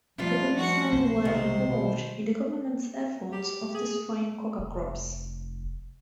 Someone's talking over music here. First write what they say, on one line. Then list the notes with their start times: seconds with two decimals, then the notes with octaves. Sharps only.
The policemen were involved in the government's efforts of destroying coca crops.
0.18 F#2 F3 G3 A3 C#4 F4 E5
0.56 F3 F#4 F#5
0.92 B1 A#3 B3 C5
1.25 C3 D#3
1.68 B2
3.32 G4
3.74 G#4
4.59 F1